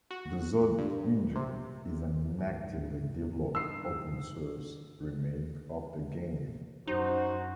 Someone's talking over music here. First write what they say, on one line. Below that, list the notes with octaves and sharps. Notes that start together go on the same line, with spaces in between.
The Zod Engine is an actively developed open source remake of the game.
F#4
G2
C3
D2 G#2
G2 D#4 D#6 E6 C7
F#2 D#4 F#4 C5